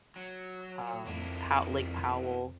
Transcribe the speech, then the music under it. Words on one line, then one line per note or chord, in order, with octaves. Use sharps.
um, Po Lake Powell,
F#3
F2 A#3 D4 E4